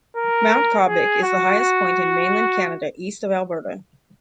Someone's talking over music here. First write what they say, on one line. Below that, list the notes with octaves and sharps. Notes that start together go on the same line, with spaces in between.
Mount Caubvick is the highest point in mainland Canada east of Alberta.
A#4
G#4
F#4
F#4